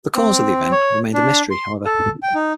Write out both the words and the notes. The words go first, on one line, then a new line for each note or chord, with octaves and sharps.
The cause of the event remained a mystery, however.
C4
C#5
D4
C6
A4
G5
D#4